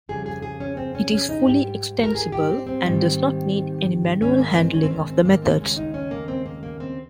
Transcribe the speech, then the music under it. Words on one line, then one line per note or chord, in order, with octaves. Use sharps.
It is fully extensible and does not need any manual handling of the methods.
F2 C#3 G3 G#4
G#4
G#4
C#4
C4
C#4
C#4
D#4
G#2 G3 G4
A#4
G#4
G4
C4
C4
G#2 D#3 G3
G#2 D#3 G#3 C#4
A#3
C4
C#4
C4
C#4
C4
A#3
C4
D#2 C#3 G#3 C#4
D#4
C#4
A#3
C4
A#3
A#3
C4